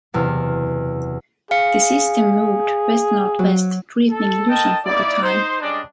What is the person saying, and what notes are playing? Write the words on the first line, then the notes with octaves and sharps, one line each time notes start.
The system moved west-northwest, threatening Luzon for a time.
F#1 E2 C3 E6 F6
G#4 F5 C#7
F#3
A4
A4 A#4 D#5 G5 A5
A#3 D#4 E4 D5
D#4 C5
G3 G#3 C#4 D4 D5 D#5